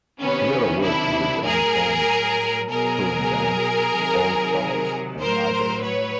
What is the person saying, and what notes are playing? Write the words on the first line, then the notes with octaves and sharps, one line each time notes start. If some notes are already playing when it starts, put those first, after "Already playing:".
He later worked with Armstrong's touring band, the All Stars, and others.
C3 D#3 F#3 B3 C#4
D4 E4
A2 F#3 G#4 A#4
B2 F#3 G#4 A#4
C3 D#3 F#3
A2 F#3 A#4 C5
B4 C#5